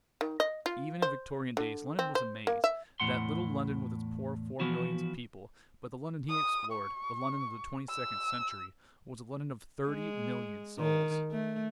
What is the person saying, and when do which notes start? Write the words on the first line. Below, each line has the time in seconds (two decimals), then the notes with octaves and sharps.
Even in Victorian days London was a maze, that little London with its poor four millions of people; but the London he explored, the London of the twenty-second century, was a London of thirty million souls.
0.21 D#3
0.40 D#5
0.66 F4
1.02 C5
1.57 D3
1.99 C4
2.15 C5
2.47 A#3
2.64 E5
3.00 E2 A2 F#5 C6
4.60 E3 F3 B3 F#4
6.29 D#6
6.72 C#6
7.89 E6
9.87 G#3
10.78 D#3
11.31 A3